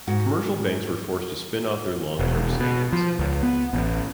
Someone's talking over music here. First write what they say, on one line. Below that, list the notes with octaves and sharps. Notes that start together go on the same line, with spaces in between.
Commercial banks were forced to spin off their long-term savings.
G#2 F#4
E1
B2
F3
C#2
B3
A1